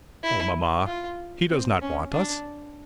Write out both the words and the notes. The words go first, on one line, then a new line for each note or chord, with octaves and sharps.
"Oh, mamma, he does not want us."
E4
F4
C4
C#4
D4